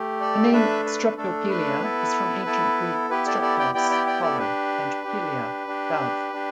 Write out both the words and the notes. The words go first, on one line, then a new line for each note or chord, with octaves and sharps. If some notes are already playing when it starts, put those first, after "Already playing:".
The name "Streptopelia" is from Ancient Greek "streptos", "collar" and "peleia", "dove".
Already playing: A3 G4
A4 D5
A3 D4 A4 B4 E5
B4
A3 D4 A4
B4
B3 E4 A4
B3 E4 A4
B3 E4 G4 B4
A4 D5
A4 D5
D5 G5
B3 E4 G4 D5 G5
D5 G5
D5 G5
A4 D5
D4 G4 B4
D4 G4
D4 G4
D4 G4